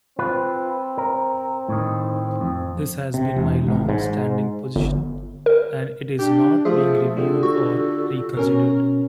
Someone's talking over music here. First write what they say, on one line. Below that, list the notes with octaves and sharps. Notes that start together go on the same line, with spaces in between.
This has been my long-standing position, and it is not being reviewed or reconsidered.
C4 F4 B4
A#4
A2 D#3
F2
C3
E1
G#1
G#2
G1
A#4
D4 G4
F3 A3 G#4 E5
D3 F4 G4 A4
F#4
B2 C#4 A#4